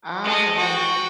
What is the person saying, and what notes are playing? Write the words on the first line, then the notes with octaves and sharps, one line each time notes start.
I have been this
G#3 A4
F#4 G5